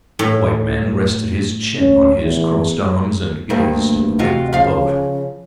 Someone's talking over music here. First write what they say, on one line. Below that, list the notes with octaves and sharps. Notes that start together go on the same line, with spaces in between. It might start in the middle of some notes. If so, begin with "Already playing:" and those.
The white man rested his chin on his crossed arms and gazed at the wake of the boat.
A2
C#4
E2
D2 G2 A#3
C3 F4 F#4 D#5
C#3 F3 F5